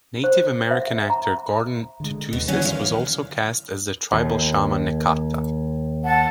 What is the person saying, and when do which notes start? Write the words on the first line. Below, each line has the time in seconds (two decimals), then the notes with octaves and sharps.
Native American actor Gordon Tootoosis was also cast as the tribal shaman Nekata.
0.24 C5
0.71 E5
1.10 A#5
2.00 D3 G#3
2.33 D#2 B2
2.48 D3 D#3 F#3 C#4 F#4
2.62 E2 F5
4.13 D#2
6.03 F#5 A5